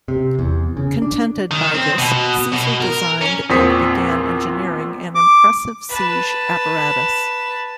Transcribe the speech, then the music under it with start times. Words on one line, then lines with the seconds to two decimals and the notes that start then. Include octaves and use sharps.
Contented by this, Caesar designed and began engineering an impressive siege apparatus.
0.08 C3
0.39 E2
0.77 C#3
1.02 D4
1.51 D#3
1.75 C4
1.98 B2
2.53 B2
2.82 A#4
3.21 C#4
3.49 E2 A#2 C4 D#6 B6
5.15 D6
5.89 B4 A5